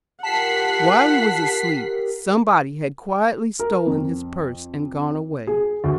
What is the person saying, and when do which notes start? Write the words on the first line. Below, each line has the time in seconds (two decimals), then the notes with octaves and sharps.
While he was asleep, somebody had quietly stolen his purse and gone away.
0.23 F4 G4 A#4 F#5 A5 B6 C7
3.60 A#4
3.87 F2
5.47 G#4
5.84 D2